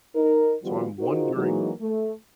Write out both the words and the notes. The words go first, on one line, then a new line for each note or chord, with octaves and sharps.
So, I'm wondering
D#4 A#4
D#3 F3 G3 B3 F4 F#4
D#4 F4 F#4 G#4 A#4 C5
E3 F#3 G#3 A#3 D#4 F#4
A3